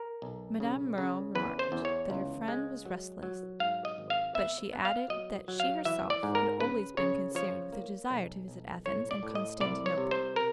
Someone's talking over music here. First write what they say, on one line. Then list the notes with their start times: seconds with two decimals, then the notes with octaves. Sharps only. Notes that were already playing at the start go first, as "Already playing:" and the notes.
Madame Merle remarked that her friend was restless, but she added that she herself had always been consumed with the desire to visit Athens and Constantinople.
Already playing: A#4
0.22 B1
0.60 C#3
0.98 C#3
1.35 E2 B4
1.59 C5
1.72 E2
1.85 C#5
2.10 C#2
2.48 G#3
2.85 F#3
3.23 F#3
3.60 G#2 F5
3.85 D#5
3.98 G#1
4.10 F5
4.35 B3 E5
4.73 B3
4.85 F5
5.10 F#3 D#5
5.48 F#3
5.60 F5
5.85 E3 E5
6.10 D5
6.23 G#2
6.35 A#4
6.60 C#3 B4
6.97 C#3 C#5
7.35 F3 C#5
7.73 A#3
8.10 B1
8.48 B1
8.86 A2 C#5
9.11 D5
9.23 A2
9.35 D#5
9.60 C2 D5
9.86 C#5
9.98 C3
10.11 C5
10.36 A#4